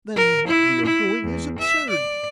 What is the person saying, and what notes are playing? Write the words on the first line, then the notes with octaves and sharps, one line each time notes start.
"Then what we are doing is absurd!"
A#4
E4
E4
E2
E5
D5